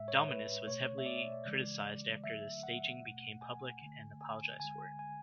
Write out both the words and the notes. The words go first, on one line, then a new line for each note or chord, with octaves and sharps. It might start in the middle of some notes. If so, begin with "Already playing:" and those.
Dominis was heavily criticized after the staging became public and apologized for it.
Already playing: A2 G#3 E5
C#5
B4
B2 A3 C#5
E5
D5
C#3 E3 G#3
D3 F#3 A3 E5
F#5
B2 A3
G#5
D3 A3
G#5
D3 G#3 G#5
G#5